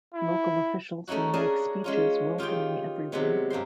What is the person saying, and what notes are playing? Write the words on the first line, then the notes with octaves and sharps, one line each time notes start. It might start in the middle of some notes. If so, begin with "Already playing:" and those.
Local officials will make speeches welcoming everyone.
E4
A3 C#4 D#4 E4 F#4
C#4 D4 G#4 A#4 G#5 A5
G#3 C#4 F4
D#3 F4 G4 G#4 G5
C3 F#3 G#3 B3
G2 A#3 C5 C6